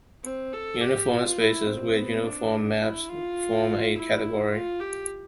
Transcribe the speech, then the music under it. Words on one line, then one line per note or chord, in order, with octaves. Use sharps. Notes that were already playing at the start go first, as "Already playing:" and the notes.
Uniform spaces with uniform maps form a category.
C4
A4
G4
F4
E4
C4
B3
D4
E4
F4
E4
F4
G4